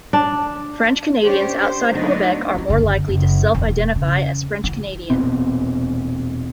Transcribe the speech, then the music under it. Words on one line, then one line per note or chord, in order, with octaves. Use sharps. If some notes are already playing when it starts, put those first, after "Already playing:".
French Canadians outside Quebec are more likely to self-identify as "French Canadian".
D4
C#4 D4 G4 C5 C#5
C5
D3 F#3 A3 B3 D4 D#4
C#4 E4
F#1 D3
F#1
E1
C#3
F#1 F4
E1 A#2 B3 C4